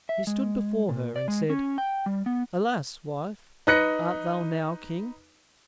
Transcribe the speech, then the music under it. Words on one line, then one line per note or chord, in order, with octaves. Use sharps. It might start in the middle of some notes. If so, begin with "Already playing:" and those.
He stood before her, and said, "Alas, wife, art thou now king?"
E5
G#3
A#2
D5
G#3
C#4
G5
G3
B3
D#4 B4 F#6 A#6 C#7